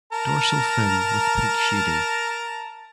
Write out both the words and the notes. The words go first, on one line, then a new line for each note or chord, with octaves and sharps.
Dorsal fin with pink shading.
A#4 A5 A#5